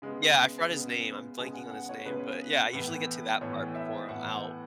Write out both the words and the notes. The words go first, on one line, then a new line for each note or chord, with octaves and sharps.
Yeah, I forgot his name. I'm blanking on his name. But, yeah, I usually get to that part before I'm out.
C#3 G#3 B3
C#3 G#3 B3
C#3 G#3 B3 G#5
F#5
F#5
C#5
C#3 G#3 B3 B4
A2 E3 B3
A2 E3 B3 C#5
E5
A2 E3 B3 F#5